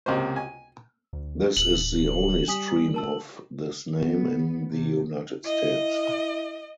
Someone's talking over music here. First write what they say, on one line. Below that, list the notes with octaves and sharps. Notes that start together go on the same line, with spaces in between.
This is the only stream of this name in the United States.
C#2 C3 A#3 C5
G#5
D2
D1 F#7
G3 G#5 D#6 B6
A#4 A5 E6
B3
C3
E4 D#5